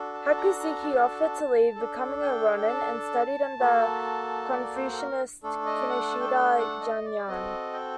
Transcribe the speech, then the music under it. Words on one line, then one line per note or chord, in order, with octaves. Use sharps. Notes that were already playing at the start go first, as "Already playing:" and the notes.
Hakuseki offered to leave, becoming a ronin and studied under Confucianist Kinoshita Jun'an.
Already playing: D4 F#4 A4
A5
A5
A#5
A#5
A5
D4 A4
G5
G5
A5
A#3 F#4 A4
D5
C5
A4
A#4
A3 D4 A4
D#5
F#5
A5
G5
A5
G5
F#5
D#5
D5
C4 F#4 A4 D#5
G5